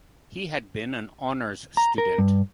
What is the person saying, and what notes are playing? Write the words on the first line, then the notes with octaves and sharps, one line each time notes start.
He had been an honors student.
A#5
A#4
G2